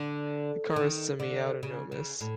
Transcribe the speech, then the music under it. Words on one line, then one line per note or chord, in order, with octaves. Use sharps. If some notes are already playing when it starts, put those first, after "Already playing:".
The car was semi-autonomous.
Already playing: D3
D#3
D3
C#3
C#3
A2